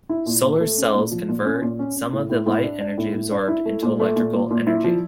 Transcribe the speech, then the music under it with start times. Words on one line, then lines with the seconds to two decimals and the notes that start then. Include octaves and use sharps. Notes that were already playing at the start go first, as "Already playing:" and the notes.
Solar cells convert some of the light energy absorbed into electrical energy.
0.09 E4
0.26 A#2
0.43 A#2
0.61 A3
0.78 C#4
0.94 A#2
1.11 F3
1.28 A#2
1.45 C#4
1.61 A#2
1.79 C#4
1.96 C#4
2.13 A2
2.30 A2
2.46 A2
2.64 D4
2.81 D4
2.98 A2
3.14 A2
3.31 D4
3.48 E4
3.65 A3
3.82 A#2
4.00 A3
4.16 A#2
4.34 A#2
4.50 A#2
4.67 E4
4.84 F3